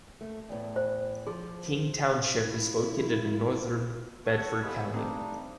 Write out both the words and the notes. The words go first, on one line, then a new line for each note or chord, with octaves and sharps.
King Township is located in northern Bedford County.
A3
E2 A2
C5
F3 G#4
E4 F4
A4 F#5 C#6
E2 B3 F4 G4 G#4 D#5 B5 E6
G2 A3 C4 D4 D#4